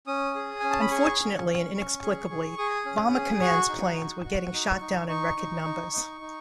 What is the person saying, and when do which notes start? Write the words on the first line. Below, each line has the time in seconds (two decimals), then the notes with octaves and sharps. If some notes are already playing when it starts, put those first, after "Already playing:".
Unfortunately and inexplicably, Bomber Command's planes were getting shot down in record numbers.
0.07 C#4 D#6
0.35 G#4
0.60 C#4 G#5
0.70 A5
0.81 B5
0.91 G#4 C#6
1.19 C#4
1.47 C#4
1.75 C#4
2.03 G#4
2.30 G#4
2.58 G#4 D#6
2.86 C#4
3.14 G#4
3.41 F#4 C#6
3.69 D#4
3.97 F#4
4.25 F#4
4.53 D#4
4.81 D#4
5.08 D#4 C#6
5.37 D#4
5.64 D#4
5.93 D#4
6.21 D#4